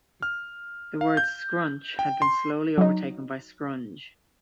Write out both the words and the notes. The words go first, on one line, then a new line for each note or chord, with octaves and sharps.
The word "scrunch" had been slowly overtaken by "scrunge".
F6
F5
G6
G5
C6
F#3 D#4